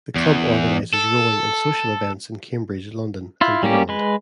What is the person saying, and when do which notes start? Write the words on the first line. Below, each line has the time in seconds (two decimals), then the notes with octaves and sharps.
The Club organises rowing and social events in Cambridge, London and beyond.
0.16 E2
0.94 A4
3.41 E4 F4
3.63 G3 A#3 C#4 G4
3.89 G#3 B4